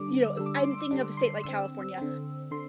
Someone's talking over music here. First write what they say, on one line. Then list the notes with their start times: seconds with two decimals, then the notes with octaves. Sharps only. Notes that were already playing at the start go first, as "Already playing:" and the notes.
you know, I'm thinking of a state like California,
Already playing: D3 G3 D4 D6
0.37 D3 G3 D4 E6
0.46 D6
0.55 C6
0.64 D6
0.91 D3 G3 D4 D6
1.17 C6
1.44 D3 C4 E6
1.97 D3 C4
2.51 D3 C6